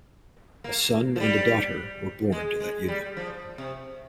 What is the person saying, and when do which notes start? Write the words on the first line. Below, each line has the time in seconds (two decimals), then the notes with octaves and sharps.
A son and a daughter were born to that union.
0.64 A#3
1.16 F3
1.20 G3
2.32 G#3
2.60 G#3
2.88 G3
3.17 F3
3.58 C3